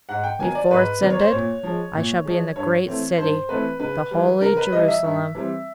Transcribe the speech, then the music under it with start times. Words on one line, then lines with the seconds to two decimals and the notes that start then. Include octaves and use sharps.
Before it's ended I shall be in the Great City--the Holy Jerusalem.'
0.09 G#2 F#5
0.24 G5
0.39 D#3 F#3 B3 G#5
0.55 D5
0.71 G#2 B4
1.01 D#3 F#3 B3 D5
1.10 C#5
1.19 C5
1.28 A#2 C#5
1.63 F3 G#3
1.94 A#2
2.25 F3 G#3
2.56 G2 C#5
2.87 E3 A3 C4
3.18 G2 C5
3.49 E3 A3 C4 B4
3.80 C#3 B4
4.11 E3 G3
4.41 C#3 A#4
4.57 B4
4.72 E3 G3 D#5
4.88 E5
5.03 G2
5.35 E3 G3 C4